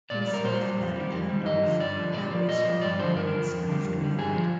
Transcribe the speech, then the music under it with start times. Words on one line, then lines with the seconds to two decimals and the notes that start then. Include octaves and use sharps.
Gisulf and Pandulf had a strong alliance after that.
0.10 A#2 D5
0.22 D5
0.27 G3
0.34 A#4
0.45 A#2 C5
0.61 G3
0.78 F2
0.96 D#3 G3
1.13 F2
1.29 D#3 G3
1.46 G2 D#5
1.64 D3 F3
1.80 G2 D5
1.97 D3 F3
2.14 A#2 D5
2.31 F3
2.48 A#2 D#5
2.65 F3
2.82 G2 D5
2.99 D3 F3 C5
3.15 G2 A#4
3.33 D3 F3
3.50 F2
3.67 D3 G3
3.84 F2
4.01 D3 G3
4.18 G2 G#4
4.34 F3